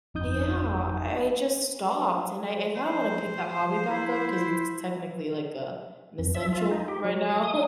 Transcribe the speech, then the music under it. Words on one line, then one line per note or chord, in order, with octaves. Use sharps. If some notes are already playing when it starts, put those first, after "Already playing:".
yeah, I I just stopped, and I I kind of want to pick that hobby back up 'cause it's c technically like a an essential right now.
G1 F2 D#4 D#6 G6
F3 C5
E4
F2
E5
F4
D#4
G4
F#3
D#6